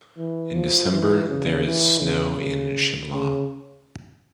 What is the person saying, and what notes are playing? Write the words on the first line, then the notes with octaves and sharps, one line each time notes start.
In December there is snow in Shimla.
E3
F3
E3
C#3
E3
C#3
C#3